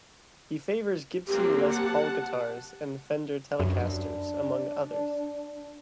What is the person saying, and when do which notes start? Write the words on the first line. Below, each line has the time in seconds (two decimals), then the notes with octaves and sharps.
He favors Gibson Les Paul guitars and Fender Telecasters among others.
1.28 F#3 A#3 C4 G4
1.70 F#5 A5
3.60 F#2 D4